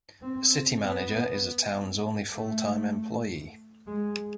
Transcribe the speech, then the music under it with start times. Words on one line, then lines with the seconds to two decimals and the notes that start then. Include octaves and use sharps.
The city manager is the town's only full-time employee.
0.22 C4
0.82 B3
2.34 A3
3.86 G#3